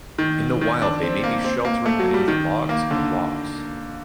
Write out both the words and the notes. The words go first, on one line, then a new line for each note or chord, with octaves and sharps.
In the wild they may be sheltering beneath logs or rocks.
D#3
D#3
D4
C4
A#3
C4
A#3
A3
F#3
G3
D#3
A#3
D3